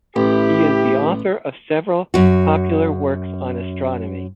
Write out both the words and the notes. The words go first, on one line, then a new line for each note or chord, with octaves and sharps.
He is the author of several popular works on astronomy.
A1 E4 G4
F#2 F#4